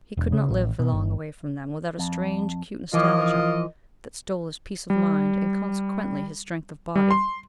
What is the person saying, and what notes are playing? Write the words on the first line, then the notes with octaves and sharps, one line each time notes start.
He could not live for long away from them without a strange, acute nostalgia that stole his peace of mind and consequently his strength of body.
E1
C#3
A1
B2
G1
F2
E3 F3 F4 A#4 D#5
G3
G3
C6